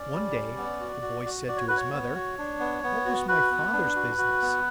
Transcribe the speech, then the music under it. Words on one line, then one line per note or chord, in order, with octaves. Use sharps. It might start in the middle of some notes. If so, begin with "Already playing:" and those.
One day the boy said to his mother: 'What was my father's business?'
Already playing: C#4 D5
G3
C#4
B3
F#4
F#4
F#4
F#4 D5
C#5
F#4 B4
C#5
B3
F#4
D4
B3
B3
F#4
F#4 B4
B3
D4
F#4
F#4
B3